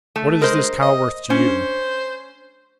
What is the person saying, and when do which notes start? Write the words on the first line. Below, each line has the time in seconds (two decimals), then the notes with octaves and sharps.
"What is this cow worth to you?"
0.16 A3
0.42 G#3 A#4 C5
0.82 D#5
1.30 C#4 C5